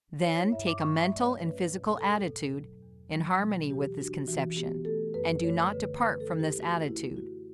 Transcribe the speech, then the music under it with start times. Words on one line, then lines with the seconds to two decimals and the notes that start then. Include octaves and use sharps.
Then take a mental and physical attitude in harmony with this conception; and do not depart from this attitude.
0.23 E4 C#5
0.38 C#5
0.52 G2 E5
0.67 D6
0.81 F#3 C#6
1.00 E5
1.10 A3 D5
1.19 C#5
1.39 C#4 B4
1.68 B2
1.96 E2 A4
2.25 B2
2.54 F#3
2.83 E2
3.12 F#3
3.41 B2
3.70 E3 G4
3.99 D4 F#4
4.28 E3 F#4
4.56 B3 G4
4.85 A3 A4
5.14 F#2 B4
5.43 A3 C#5
5.72 D3 B4
6.01 A3 B4
6.20 A4
6.30 E4
6.40 G4
6.59 A3 F#4
6.87 A3 E4
7.16 E4 F#4